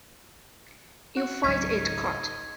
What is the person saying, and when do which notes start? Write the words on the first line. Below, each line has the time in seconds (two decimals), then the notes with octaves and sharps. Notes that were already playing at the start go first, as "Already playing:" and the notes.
You fight it cut.
1.16 F#4
1.44 G#1 C#2 F#3 D#4 G#6 B6